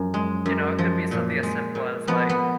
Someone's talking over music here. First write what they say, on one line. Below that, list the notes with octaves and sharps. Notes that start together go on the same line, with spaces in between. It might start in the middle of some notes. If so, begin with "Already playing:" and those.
you know, it could be something as simple as like
Already playing: F#2 F3
G#3
F#2
F3
A#2
G#3
A#2
F3 B3
B3